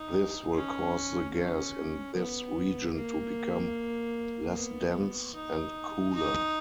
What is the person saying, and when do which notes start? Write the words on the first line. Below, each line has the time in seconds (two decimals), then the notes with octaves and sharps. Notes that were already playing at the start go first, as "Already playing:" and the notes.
This will cause the gas in this region to become less dense, and cooler.
Already playing: D#4
0.55 C#4
1.34 C#4
2.14 B3
2.95 A#3
4.55 B3
5.35 D#4
6.15 D#4